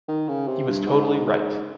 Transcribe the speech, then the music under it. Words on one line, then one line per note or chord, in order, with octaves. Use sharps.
He was totally right.
D#3
C#3
C3
G2
G#2
G#2